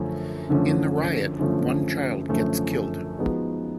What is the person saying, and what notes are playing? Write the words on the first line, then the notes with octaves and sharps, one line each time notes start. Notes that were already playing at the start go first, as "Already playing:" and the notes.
In the riot, one child gets killed.
Already playing: F#2 D3 F3 A3 C#4
F#2 D3 F3 A3 C#4
F#2 D3 F3 A3 C#4
F#2 D3 F3 A3 C#4
F3 G#3 B3 D#4 F#4